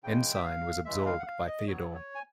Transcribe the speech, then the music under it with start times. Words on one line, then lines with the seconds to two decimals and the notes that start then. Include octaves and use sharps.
Ensign was absorbed by Theodore.
0.04 C#3 E3 G#3 G5
0.35 E5
0.44 F5
0.85 C#3 E3 G#3 E5
1.06 F5
1.20 F#5
1.26 F5
1.47 D#5
1.67 A2 F#3 B3 C#5
1.95 C#5
2.15 G#5